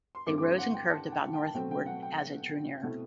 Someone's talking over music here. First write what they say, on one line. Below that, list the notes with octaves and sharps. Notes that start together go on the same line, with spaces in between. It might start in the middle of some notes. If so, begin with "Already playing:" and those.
They rose and curved about northward as it drew nearer.
C6
G2 D3 A3 C4 E4 D6
D6
C6
F#5
G5
A5
G5
G5
A5
B2 F#3 A3 C4 G5
G5
F#5
G5
B2 A3 C4 E4